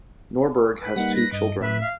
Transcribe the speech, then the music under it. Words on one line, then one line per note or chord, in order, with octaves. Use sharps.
Norberg has two children.
B4
G3 A#3 D#4 F#5
A#6
G2 D#5
A2 B4 E5
F5